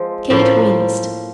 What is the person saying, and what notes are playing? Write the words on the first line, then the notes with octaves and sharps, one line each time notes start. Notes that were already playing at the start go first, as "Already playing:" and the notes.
Kate winced.
Already playing: F3 G#3 C4
A2 F3 A#3